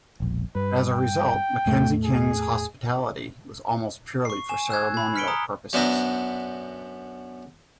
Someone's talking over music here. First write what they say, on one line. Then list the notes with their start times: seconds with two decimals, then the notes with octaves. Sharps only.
As a result, Mackenzie King's hospitality was almost purely for ceremonial purposes.
0.20 E1 A#1
0.55 G2 B4
0.93 G5
1.66 E2 A2 A3
2.04 G#4
4.25 C#6 C7
4.49 G#5 E7
4.70 E6 F#6 G#6
4.94 B5 G#6
5.16 F6 B6 C#7 D7 G7
5.28 A#5 D#6
5.73 F#2 B3 D4 C5 E5 A#5